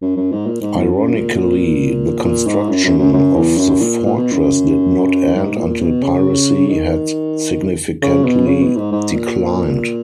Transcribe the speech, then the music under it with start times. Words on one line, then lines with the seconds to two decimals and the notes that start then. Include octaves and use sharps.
Ironically, the construction of the fortress did not end until piracy had significantly declined.
0.02 F#2
0.17 F#2
0.32 G#2
0.47 A#2
0.62 G#2
0.76 E2
0.91 F#2
1.13 A#2
2.25 A#2
2.47 G#2
2.69 F#2
2.84 F#2
2.99 F#2
3.13 F#2
3.36 E2
3.58 F#2
3.81 A#2
4.05 A#2
4.17 B2
4.32 F#2
5.36 G#2
5.58 A#2
5.80 B2
6.03 C#3
6.69 D#3
8.02 C#3
8.25 B2
8.47 C#3
8.62 B2
8.77 G#2
8.92 G#2
9.14 A#2